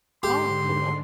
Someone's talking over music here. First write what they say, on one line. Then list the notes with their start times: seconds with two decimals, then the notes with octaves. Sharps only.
Aw, cool.
0.23 G#2 D3 G4 C6